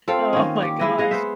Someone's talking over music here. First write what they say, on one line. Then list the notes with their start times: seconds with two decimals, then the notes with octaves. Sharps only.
Oh my gosh.
0.08 C4 F4 A4 F5
0.33 D#3 A#3 C#4
0.62 G4
0.79 G#3 E4 D#5
0.98 G#4 D#5 F5 F#5
1.11 B3 C5 E5